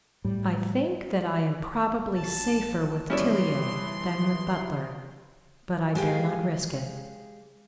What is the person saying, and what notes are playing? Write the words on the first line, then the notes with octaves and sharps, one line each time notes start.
I think that I am probably safer with Tillier than with Butler, but I dare not risk it.
A2 G3
A#1 A5
G2 B2 E3 C#4 E4 D5 C6
G#3 G4 G#4 F5